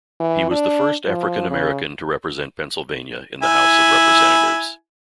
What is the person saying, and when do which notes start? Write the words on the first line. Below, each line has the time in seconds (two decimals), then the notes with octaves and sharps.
He was the first African American to represent Pennsylvania in the House of Representatives.
0.20 E3
0.51 D4
1.06 F3
1.50 C#3
3.43 E4 G#5